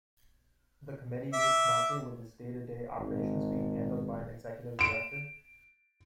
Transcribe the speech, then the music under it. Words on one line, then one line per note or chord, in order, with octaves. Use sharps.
The committee meets monthly with its day-to-day operations being handled by an executive director.
E5 D6
G#1
D7 E7